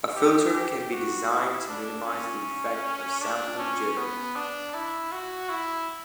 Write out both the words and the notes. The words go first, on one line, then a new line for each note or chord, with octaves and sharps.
A filter can be designed to minimize the effect of sampling jitter.
G4
G4
F#4
E4
D4
C#4
D4
C#4
B3
D4
E4
F#4
E4